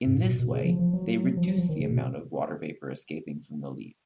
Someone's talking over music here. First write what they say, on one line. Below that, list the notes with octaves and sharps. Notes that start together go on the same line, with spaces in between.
In this way, they reduce the amount of water vapour escaping from the leaf.
G#2
A#2
B2
B2
C#3
F3
F3
F#3
F3
F#3
F3
D#3
C#3
B2